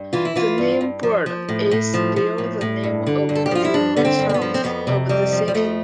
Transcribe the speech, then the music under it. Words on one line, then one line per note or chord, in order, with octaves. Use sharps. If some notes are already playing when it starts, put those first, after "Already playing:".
The name Bourde is still the name of a river south of the city.
Already playing: G2
E3 F4
E4
E3 F4
G2
G2
F3
F3
A2
A2
F3
F3
A2
A2
G2
D3
G2
A4
G4
F3 F4
E4
G2 D4
D3 B3
C4
G2
C4
B3
F3
C4
F2 B3
C3
F2 G3
F3
G3
F2 A3